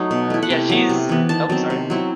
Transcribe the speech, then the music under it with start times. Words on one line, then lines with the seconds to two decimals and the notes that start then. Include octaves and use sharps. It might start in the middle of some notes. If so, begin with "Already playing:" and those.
Yeah, she's ope, sorry.
Already playing: F#3 A3 D#4
0.11 B2
0.30 A3 E4
0.43 F#5
0.50 C3 G5
0.70 F#3 B3
0.89 C3
1.09 E3 B3
1.29 D#3 A5
1.50 F#3 C4
1.70 C3
1.90 F#3 C4 E4